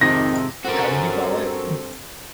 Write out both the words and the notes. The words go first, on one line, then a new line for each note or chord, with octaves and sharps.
How did you call it?
F2 G#2 C3 D#3 A#6
G2 C4 F#4 A4 A#4